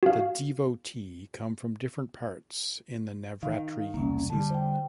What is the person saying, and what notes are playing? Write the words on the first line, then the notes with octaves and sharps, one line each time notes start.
The devotee come from different parts in the navratri season.
F#4 F5
D#3 F5
E1 C2 A#3 C#4
D3 G3 A5
C5 G5